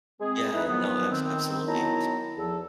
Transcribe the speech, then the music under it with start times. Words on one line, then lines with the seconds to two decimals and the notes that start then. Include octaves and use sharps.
Yeah, no, abs absolutely,
0.20 G#3 C4 G#4
0.54 D#4 E4 A4 B4
0.68 D#3 F3 F#3 B3
1.11 D#3 C4
1.67 D#3 F#3 B3 E4 A5 A#5
2.37 E2 F3 A4